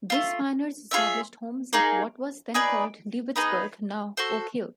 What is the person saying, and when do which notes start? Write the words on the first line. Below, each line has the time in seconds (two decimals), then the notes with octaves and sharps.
These pioneers established homes at what was then called DeWittsburg, now Oak Hill.
0.10 A3 C4 F4
0.91 F4 G#4 C#5 E5
1.73 A#3 D#4 G#4
2.54 D#4 G#4 B4 D5
3.36 B3 D#4 G#4 B4
4.17 F#4 A4 C5